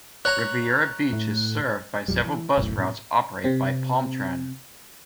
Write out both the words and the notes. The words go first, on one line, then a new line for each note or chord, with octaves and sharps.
Riviera Beach is served by several bus routes operated by PalmTran.
C#5 A#5 F#6
A2
B1 F#2 F3 G3
E3
F#1 B1 F#2 A2
G#2 B2 C4 C#4
C3 C4